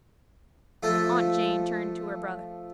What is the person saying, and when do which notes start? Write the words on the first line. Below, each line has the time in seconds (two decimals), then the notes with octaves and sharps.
Aunt Jane turned to her brother.
0.83 F3 A3 A4